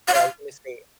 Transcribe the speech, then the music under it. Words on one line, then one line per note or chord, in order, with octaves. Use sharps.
Oh, I was gonna say
F#5
F5